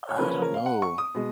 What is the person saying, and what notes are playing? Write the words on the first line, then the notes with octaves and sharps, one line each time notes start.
I don't know.
C#5
C#3 F3 A#3 C#4 B4
B4
A#4
F5
F#5
C#6
D#6
B2 G#3